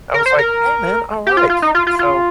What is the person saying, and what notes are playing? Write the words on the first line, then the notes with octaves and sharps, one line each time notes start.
I was like, "Hey man, alright!" So
A#4
C5
A#4
G4
F4
F4
D#4
F4
F4
F4